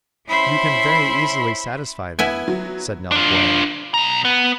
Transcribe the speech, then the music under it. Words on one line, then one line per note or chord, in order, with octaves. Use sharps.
"You can very easily satisfy them," said Nell Gwyn.
C#4 E4 C5 E5 B5 C6
B3 E4 G#5 G#6
F#3
D4 F4
B2 A#5
B3